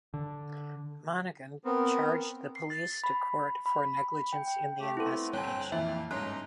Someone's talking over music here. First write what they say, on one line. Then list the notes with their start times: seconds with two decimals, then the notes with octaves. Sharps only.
Monaghan charged the police to court for negligence in the investigation.
0.14 D3
1.65 B3 C4 A#4
2.56 C7
2.70 A6
3.04 B5
3.66 B5
3.97 B5
4.33 G5
4.48 G5
4.80 A3 G4
4.97 A3 B3 C4 E4 A4
5.33 G1 C4 C#5 G5 G#5 F#6
5.72 F2 A#2 E3 E5 F6
6.11 G1 G#2 C#4 D#5 A#5 C6 F#6